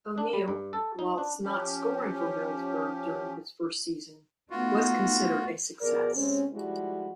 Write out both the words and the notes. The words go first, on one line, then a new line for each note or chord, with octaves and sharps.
O'Neil, whilst not scoring for Middlesbrough during his first season, was considered a success.
D4
G3
G2
A4
D#4
D4
F3 C#4 G4
A3 B3 D#4 F4 F#4
B2 F3 G#4 A#4 D5
C3 G#3 C4 C#4
F3 G3 G#3 E4 F#4